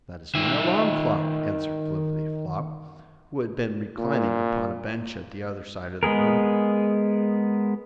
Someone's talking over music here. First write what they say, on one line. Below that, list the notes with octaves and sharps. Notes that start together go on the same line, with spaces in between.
"That is my alarm clock," answered Flippityflop, who had been reclining upon a bench at the other side of the room.
D#3 E5
A#2
G#3 B3 G#4 A#4